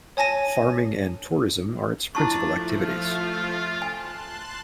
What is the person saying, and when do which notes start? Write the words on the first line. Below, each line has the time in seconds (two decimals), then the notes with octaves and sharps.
Farming and tourism are its principal activities.
0.17 C#5 G#5 A5 A#6 D#7
2.15 F3 A3 D4 E4 A5 C#6
2.81 F4
3.82 G#5 A5 C6 F#6